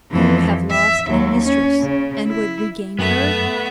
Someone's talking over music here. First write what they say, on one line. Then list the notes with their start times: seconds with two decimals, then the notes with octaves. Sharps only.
"You have lost a mistress, and would regain her?"
0.11 F2 E3
0.70 E5
1.07 D#2 F#3
1.42 C#4
1.80 C#3
2.26 E4
2.99 F#2 A3 B3 E5